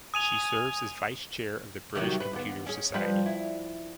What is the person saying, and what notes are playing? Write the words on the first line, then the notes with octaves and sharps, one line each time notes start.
She serves as Vice Chair of the British Computer Society.
G#5 D#6 D#7 F7
C3 D#3 F#3
B4
D#2 B3
C#4 G#4
F3 G3 B4
E4